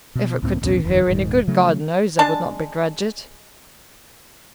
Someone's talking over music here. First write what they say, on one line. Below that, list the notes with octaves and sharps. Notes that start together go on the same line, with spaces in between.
If it could do her any good, God knows I would not begrudge it.
B2
C#2 A2 A#3 C4
A1 D#2 B2 C#4
F#1 E2 D3
D#1 G#2 D#3
C#3 F#3 A3
G#3 D4 A5